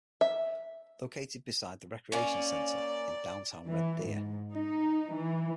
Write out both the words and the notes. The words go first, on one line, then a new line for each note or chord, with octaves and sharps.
Located beside the Recreation Centre, in downtown Red Deer.
E5
A#3 C#4 D5
E3
G#2
D#4
E3